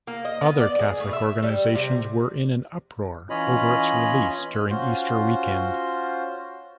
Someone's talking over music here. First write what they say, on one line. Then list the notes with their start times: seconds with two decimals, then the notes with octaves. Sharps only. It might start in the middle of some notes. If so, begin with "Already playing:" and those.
Other Catholic organizations were in an uproar over its release during Easter weekend.
0.07 A#3
0.25 D#5
0.42 B3
0.60 D5
0.79 G#4
1.00 A2
1.13 E5
1.42 G3
1.75 C3
3.30 E3 C#4 F4 C#5 D#5 B5
4.70 C#4 F4 F#4 C5